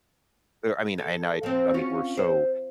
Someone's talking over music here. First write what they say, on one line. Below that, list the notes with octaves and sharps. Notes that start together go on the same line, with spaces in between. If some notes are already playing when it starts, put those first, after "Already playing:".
There I mean, and I I mean, we're so
A4
F3 C4
C#4 F4 F#4
C5